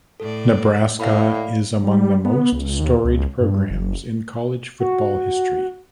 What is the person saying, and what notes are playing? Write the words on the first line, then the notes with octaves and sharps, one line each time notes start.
Nebraska is among the most storied programs in college football history.
A2 A4 D5
A2 A#3 D5 F5 B5
G3
B3
C#2
D#2
C#2
G2
F#1
F#4